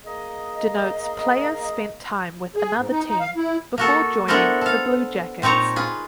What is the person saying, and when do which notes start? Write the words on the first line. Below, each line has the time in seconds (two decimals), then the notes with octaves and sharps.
Denotes player spent time with another team before joining the Blue Jackets.
0.06 A#3 G#4 D#5
2.56 G#4
2.77 G#2
2.91 D#4
3.06 D#4
3.20 F5
3.36 E4
3.78 A#3 F#4 A4
4.28 B3 D4 E4 A4 A#4 C5
4.61 A4 F5
5.42 A#2 C4 D#4 C#5 A#5
5.76 F4 G#4 B4